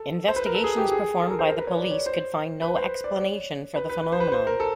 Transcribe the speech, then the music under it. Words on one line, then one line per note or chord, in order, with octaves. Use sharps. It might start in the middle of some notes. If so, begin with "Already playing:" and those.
Investigations performed by the police could find no explanation for the phenomenon.
Already playing: A4
C5
B4
A#4
A4
G#4
G4
G#4
A4
A#4
C5
A#4
B4
C#5
D5
C#5
C5
B4
C5
D5
C#5
B4
B4
B4
C5
B4
C5
A#4
A4